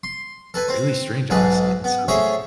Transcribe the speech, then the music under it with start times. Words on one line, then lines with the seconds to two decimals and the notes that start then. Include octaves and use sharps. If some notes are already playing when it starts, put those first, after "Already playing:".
really strange, honestly, and so
0.03 C6
0.54 A4 B4 G#5
0.68 C4 C5
1.30 B1 G#2 G#4 A4 B4
1.84 B3
2.08 A2 G#4 C5 C#5 E5